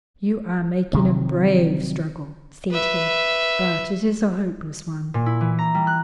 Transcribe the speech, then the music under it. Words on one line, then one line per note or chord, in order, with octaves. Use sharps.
"You are making a brave struggle," said he, "but it is a hopeless one."
C3 D#3 F3 F#3
B4 E5
A#2
E4
E3
A#5
G3
F#6